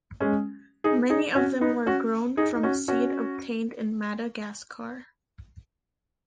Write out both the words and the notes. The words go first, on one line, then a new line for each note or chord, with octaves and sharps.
Many of them were grown from seed obtained in Madagascar.
G#3 C#4
D#4 G#4
D#4 G#4
C#4 F#4
B3 D#4
C#4 F#4
D#4 G#4
D#4
C#4 F#4
C#4 F#4